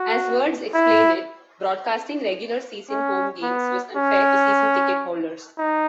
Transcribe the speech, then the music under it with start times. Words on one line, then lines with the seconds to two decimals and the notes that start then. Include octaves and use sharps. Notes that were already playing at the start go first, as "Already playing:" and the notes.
As Wirtz explained it, broadcasting regular-season home games was unfair to season-ticket holders.
Already playing: F#4
0.74 E4
2.89 C#4
3.42 B3
3.96 C#4
5.58 D#4